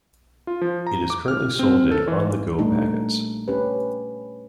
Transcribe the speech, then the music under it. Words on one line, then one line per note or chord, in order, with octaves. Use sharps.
It is currently sold in "On The Go" packets.
F4
F3
A#5
D6
F6
C4
A4
E3
A#2 G3 A3 D4 D#4
C#4 G4 B4